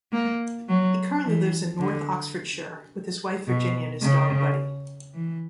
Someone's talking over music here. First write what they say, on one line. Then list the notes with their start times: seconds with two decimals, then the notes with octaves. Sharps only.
He currently lives in north Oxfordshire with his wife Virginia and his dog Buddy.
0.13 A#3
0.69 F#3
1.25 E3
1.80 D3
3.48 B2
4.02 C#3
5.14 E3